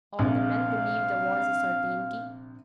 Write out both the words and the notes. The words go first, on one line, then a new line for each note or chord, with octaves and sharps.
All the men believe the war's a certainty.'
A#1 C3 F5